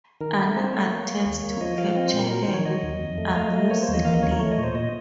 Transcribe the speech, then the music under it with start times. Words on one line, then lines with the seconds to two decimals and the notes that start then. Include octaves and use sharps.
Anna attempts to capture her, amusing Lee.
0.21 D#3 A#4
0.39 A3
0.56 C4 C5
0.73 A3 C#5
0.91 A#3
1.08 A#3
1.25 D#2
1.43 A#3
1.61 F3 D#5
1.78 F3 F5
1.96 C4 D#5
2.08 C5
2.13 A#2
2.19 A#4
2.31 F#3 A#4
2.42 D#3 C5
2.54 C#5
2.65 F#3 D#5
2.83 D#2
3.00 F2
3.18 A3
3.36 A3 F5
3.46 D#5
3.53 A3
3.59 D#5
3.70 A#3 C#5
3.82 C5
3.88 D#2
3.94 D#5
4.05 A#3 F5
4.14 D#5
4.22 D#2 C#5
4.31 A#4
4.39 A3 C#5
4.51 D#5
4.58 A#2 C#5
4.63 C5
4.75 A#2 D#5